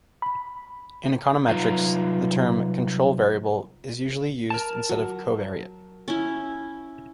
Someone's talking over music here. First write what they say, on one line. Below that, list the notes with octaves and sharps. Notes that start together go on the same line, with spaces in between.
In econometrics, the term "control variable" is usually used instead of "covariate".
B5
C2 F#3 D#4 F4 B4 F5
A#4 A5
F#3
C#4 E4